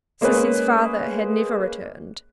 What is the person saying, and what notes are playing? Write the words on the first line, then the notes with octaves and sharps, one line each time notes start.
Sissy's father had never returned.
G#3 A#3 C#4 G#4 B4 C#5